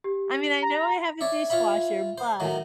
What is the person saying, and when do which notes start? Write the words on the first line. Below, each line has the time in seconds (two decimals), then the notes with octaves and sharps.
mean, I know I have a dishwasher, but
0.04 G4
0.62 A#5
1.21 C#5 D5 E5
1.50 F4 C#5 E5 B5
2.18 C5
2.40 A2 D#3 F#3